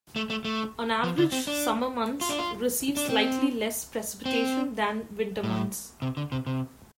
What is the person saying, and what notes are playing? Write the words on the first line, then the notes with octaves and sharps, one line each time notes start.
On average, summer months receive slightly less precipitation than winter months.
A3
A3
A3
F3
D3
C4
D4
F4
D4
F4
D4
C4
C4
A2
C3
D3
C3
C3